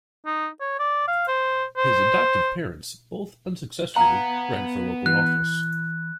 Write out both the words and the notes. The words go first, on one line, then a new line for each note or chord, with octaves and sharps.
His adoptive parents both unsuccessfully ran for local office.
D#4
C#5
D5
F5
C5
C5
B3 F5 F#5 A#5 G#6
E3 F#6